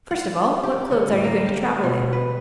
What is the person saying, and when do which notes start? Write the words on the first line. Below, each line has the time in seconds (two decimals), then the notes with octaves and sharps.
"First of all, what clothes are you going to travel in?"
0.11 F#5
0.63 G4
0.91 D3
1.10 A2
1.24 A#3
1.46 G4
1.84 B2
2.13 B4